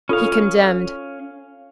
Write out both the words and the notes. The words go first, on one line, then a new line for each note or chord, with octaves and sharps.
He condemned.
C#4 F4 A4 F5